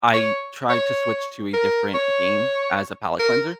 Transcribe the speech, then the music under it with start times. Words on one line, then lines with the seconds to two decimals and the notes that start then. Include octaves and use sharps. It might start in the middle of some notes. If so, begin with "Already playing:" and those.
I tried to switch to a different game as a palate cleanser,
0.14 C#5
0.70 C#5
1.53 A#4
1.94 C#5
3.19 A#4